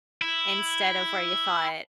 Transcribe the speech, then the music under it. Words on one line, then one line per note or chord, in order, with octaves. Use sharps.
instead of where you thought
E4